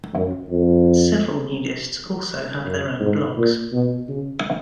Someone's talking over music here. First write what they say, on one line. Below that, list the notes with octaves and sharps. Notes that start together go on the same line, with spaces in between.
Several nudists also have their own blogs.
F#2
F2
F#2
G#2
A#2
B2
C#3